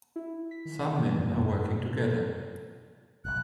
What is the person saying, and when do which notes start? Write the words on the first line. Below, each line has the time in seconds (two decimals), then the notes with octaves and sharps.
Some men are working together.
0.16 E4
0.51 B6
0.65 D#3
0.93 E3
1.18 F#2
1.38 G#2
1.77 C3
1.96 A4
3.25 F#1 B1 F#6